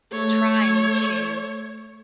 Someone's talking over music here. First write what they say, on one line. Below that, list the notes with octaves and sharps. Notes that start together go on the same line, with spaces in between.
trying to
A3 C#5